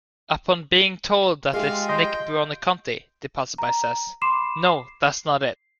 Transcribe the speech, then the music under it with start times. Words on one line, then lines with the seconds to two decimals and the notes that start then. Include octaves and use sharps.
Upon being told that it's Nick Buoniconti, the passerby says, No, that's not it.
1.53 G#3 F4 G4 F5
1.89 D#5 G5 C6
3.58 A#5
4.21 B5 C6 D6 C7 E7
4.66 C7